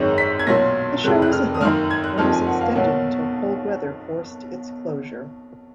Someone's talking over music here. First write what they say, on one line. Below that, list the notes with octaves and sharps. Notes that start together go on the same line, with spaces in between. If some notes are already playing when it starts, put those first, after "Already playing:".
The show was a hit and was extended until cold weather forced its closure.
Already playing: G#1 F#2 D#3 G#3 C#4
B6
G#6
B1 A#2 F#3 C#4 A#6
F1 F2 C#3 F#6
F#6
F6
D#6
F#2 D#3 A#3 F6
G#6
F#6
F#1 F2 F3 A#3 D#4 F6
G#5
F#5
F5
B1 B2 A#3 C#4 F#5